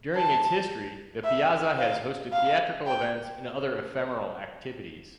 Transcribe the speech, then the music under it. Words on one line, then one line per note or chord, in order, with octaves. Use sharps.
During its history, the piazza has hosted theatrical events and other ephemeral activities.
A5
E5
F5
F5
G5